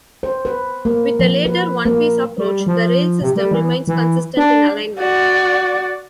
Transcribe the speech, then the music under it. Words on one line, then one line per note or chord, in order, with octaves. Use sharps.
With the later one piece approach, the rail system remains consistent in alignment.
C5
B4
A#3
F3
B4
A#3
G3
F3
C3
G3
E3
E3
D4
F#4 D5